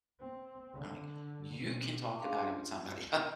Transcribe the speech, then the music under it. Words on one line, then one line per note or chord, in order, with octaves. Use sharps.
I'm, like, "You can talk about it with somebody
C4
D3
B2
C#4 D4 G#4 F5 C6 D6
F4